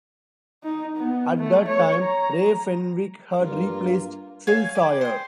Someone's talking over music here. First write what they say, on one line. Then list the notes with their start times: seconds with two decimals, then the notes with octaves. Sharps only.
At that time Ray Fenwick had replaced Phil Sawyer.
0.63 D#4
0.97 B3
1.38 A3
1.68 C#5
2.03 A#5
3.39 G2 A#3 F4
4.47 C#5 F5 G#5 G6
4.75 G#4 B4 D5 G5
5.01 C5 G5